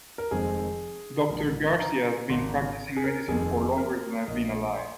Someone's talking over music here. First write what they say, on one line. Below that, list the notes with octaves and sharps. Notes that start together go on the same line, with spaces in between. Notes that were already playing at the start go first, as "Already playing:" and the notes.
Doctor Garcia has been practicing medicine for longer than I have been alive.
A#4
F1 F2 D#3 G#3 C4 G#4
A#1 G#2 D#3 A#4
A#5
G#1 G#2 D#3 A#3 C6
G#4
A#4
F1 F2 D#3 G#4
A#4
A#1 A#2 A#3 D#5
C6